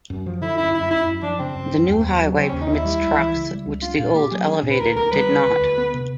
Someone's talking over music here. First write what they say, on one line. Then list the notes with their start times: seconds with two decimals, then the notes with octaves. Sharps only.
The new highway permits trucks, which the old elevated did not.
0.10 F#2
0.26 F3
0.41 D3 E4
0.58 F#2 E4
0.74 F#2 E4
0.91 F#2 E4
1.07 F#2
1.22 F3 D4
1.39 C#3 C4
1.56 F#2
1.71 F#2
1.87 D#2
2.04 D#2
2.21 F#3
2.37 C#3 C4
2.49 C#4
2.53 D#2
2.61 D#4
2.69 D#2 E4
2.85 G3
3.01 C#2
3.17 E3
3.34 C#3
3.51 G3
3.66 C#2
3.82 D4 F4
3.99 A#2 F4
4.14 A#3 G4
4.31 F#3 G#4
4.48 D4
4.63 A#2
4.70 B4
4.80 D2 A#4
4.96 D2 A#4
5.12 G3 B4
5.29 D3
5.44 D2
5.61 D2
5.78 B3
5.94 C3